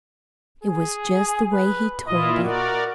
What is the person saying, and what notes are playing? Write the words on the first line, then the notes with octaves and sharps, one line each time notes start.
It was just the way he told it.
G#4
B4
A#2 E4 F4 D#5
F#4 A#4 D5